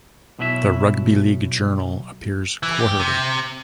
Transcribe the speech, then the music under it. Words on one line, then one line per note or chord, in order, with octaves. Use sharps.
The Rugby League Journal appears quarterly.
B1 B2 F#3 E4 F#4 E5
E3
G4
C3